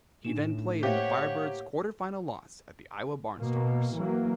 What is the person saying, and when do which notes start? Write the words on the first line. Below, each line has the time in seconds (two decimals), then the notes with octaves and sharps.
He then played in the Firebirds' quarter-final loss at the Iowa Barnstormers.
0.25 A2 D4 D#4 E7
0.83 A#3 G4 C5 C#5 E5 F#5 G5
3.38 B2 A#3
3.95 E3 F#3 A#3